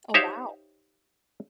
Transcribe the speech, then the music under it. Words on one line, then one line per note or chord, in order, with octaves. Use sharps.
Oh, wow.
D#4 G4 C5 C#5 E5 F5